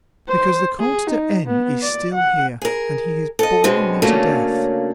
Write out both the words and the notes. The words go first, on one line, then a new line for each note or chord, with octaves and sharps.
"Because the Comte de N. is still here, and he is boring me to death."
C5
G#4
D#4
B3
D5
F#5
G#4 A#4
A4 D#5
B2 D3 G#3 C4 C#4
C#3 F#3 A3 A#3 C#4 D4